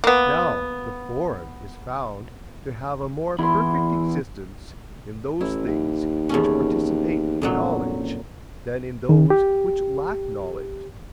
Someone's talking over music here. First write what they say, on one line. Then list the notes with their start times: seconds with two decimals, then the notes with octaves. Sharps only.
Now, the form is found to have a more perfect existence in those things which participate knowledge than in those which lack knowledge.
0.04 A#3 B3
3.39 E2 E4 C6
5.41 A1 E4
5.66 D#2
6.29 E2 A3 C#4
7.42 E1 F2 A#2 F#3
7.97 F#1
9.09 D#3
9.30 G4